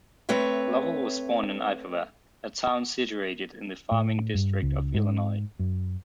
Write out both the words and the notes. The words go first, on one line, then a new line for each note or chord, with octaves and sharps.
Lovell was born in Ipava, a town situated in the farming district of Illinois.
A3 C4 B4 C#5 E5
A2
G2
C#2
G#2
F#2